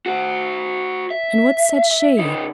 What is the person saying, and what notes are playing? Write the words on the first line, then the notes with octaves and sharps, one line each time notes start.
"And what said she?"
F#4 C5
E5
C#3 D#4